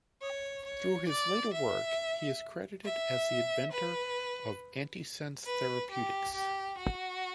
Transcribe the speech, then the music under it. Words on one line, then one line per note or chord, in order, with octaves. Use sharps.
Through his later work, he is credited as the inventor of antisense therapeutics.
C#5
C#5
D5
E5
E5
B4
B4
G4
G4
F#4